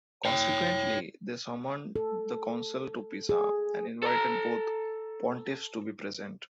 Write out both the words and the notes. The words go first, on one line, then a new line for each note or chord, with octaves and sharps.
Consequently, they summoned the council to Pisa and invited both pontiffs to be present.
C#5 G5
A4
G#4
A4 A#5